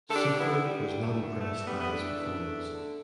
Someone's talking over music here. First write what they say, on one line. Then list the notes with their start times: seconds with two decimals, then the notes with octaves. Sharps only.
Suffren was not impressed by his performance.
0.08 D3 A4
0.15 D4 G4
0.27 D3
0.40 B3 E4
0.46 D3
0.65 D3 G3
0.84 D2
1.03 D2 A3
1.22 D3
1.41 E2 A3
1.60 E3
1.66 G3 B3
1.79 E2 B3
1.91 A3 D4
1.98 E2
2.17 E2
2.36 E2
2.55 E2
2.73 D3